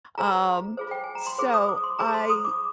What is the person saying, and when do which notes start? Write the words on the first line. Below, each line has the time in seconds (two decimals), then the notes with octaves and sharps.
um, so I
0.18 F4 G#4 C5 A#5
0.77 F4 G#4 C5
0.91 G5
1.04 G#5
1.15 A#5
1.27 C6
1.38 F4 G#4 C5 D6
1.54 D#6
1.69 D6
1.84 C6
1.99 F4 G#4 C5 A#5
2.14 C6
2.30 D#6
2.45 D6